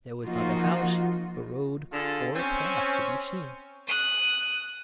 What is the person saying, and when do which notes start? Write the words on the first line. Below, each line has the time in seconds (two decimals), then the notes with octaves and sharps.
There was not a house, a road, or a path to be seen.
0.25 F3 A#3 D#4 F4 F#4
1.92 D3 F4 G#4 A4
2.34 C4 C#4
3.87 D#6 F#6